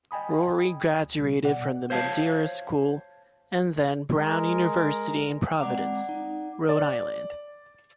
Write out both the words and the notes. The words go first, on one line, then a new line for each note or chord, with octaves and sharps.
Rory graduated from The Madeira School and then Brown University in Providence, Rhode Island.
D#5 G5 G#5 B5 D#6
D2
B2 G3
B2 D5 F#5
C5 C#5 F5 A5
G#3 A#4
G#3 C4 D5 F#5 A#5 D6
D#4
D5